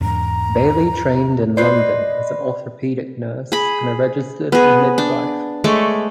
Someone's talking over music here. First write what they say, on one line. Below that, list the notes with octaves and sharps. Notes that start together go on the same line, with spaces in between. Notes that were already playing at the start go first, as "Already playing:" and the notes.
Bailey trained in London as an orthopaedic nurse and registered midwife.
E2 G#2 D4 A#5
F4 B4 C5 D5 C6
D#5
G#4 B5
B3 G#4
D4
G#3 A3 C#5 D5